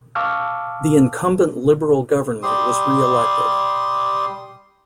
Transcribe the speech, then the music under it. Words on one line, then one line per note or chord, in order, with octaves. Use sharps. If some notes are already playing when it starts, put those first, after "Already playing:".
The incumbent Liberal government was re-elected.
F5 A5 C#6 D6 E6 F6
G3 G4 C6 D#6